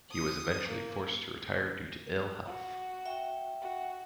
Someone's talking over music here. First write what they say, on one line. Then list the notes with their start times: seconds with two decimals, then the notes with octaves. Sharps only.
He was eventually forced to retire due to ill health.
0.12 D#6
0.68 A#3
2.46 F#4
3.06 E5 G5
3.62 F#4